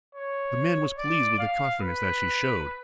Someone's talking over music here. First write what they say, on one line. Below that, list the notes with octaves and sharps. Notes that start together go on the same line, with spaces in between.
The man was pleased with the confidence that she showed.
C#5
D5
F5
B4